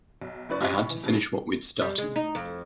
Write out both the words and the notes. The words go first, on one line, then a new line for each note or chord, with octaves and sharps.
I had to finish what we'd started.
B1
F#1 F#2 E4 B4 D5 C#6
C4 F4 G4 D#5
F1 D5 B5 C#6
E3
G2 C#3 F#3
G3
G#3
D#4
F2